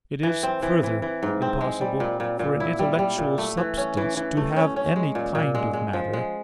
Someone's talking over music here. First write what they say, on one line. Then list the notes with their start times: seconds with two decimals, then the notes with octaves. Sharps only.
It is, further, impossible for an intellectual substance to have any kind of matter.
0.23 E3
0.43 C4
0.62 E3
0.83 E3
1.02 E3
1.23 G#2
1.42 C4
1.61 G#3
1.81 G3
2.00 A#2
2.20 A#2
2.39 A#2
2.60 E4
2.79 G3
2.99 G3
3.18 A#2
3.38 A3
3.57 E3
3.77 C#4
3.97 E3
4.17 E3
4.37 A3
4.56 C#4
4.76 C#4
4.96 G#3
5.15 A#2
5.35 A#2
5.55 G#3
5.73 G#3
5.93 F3
6.13 G#3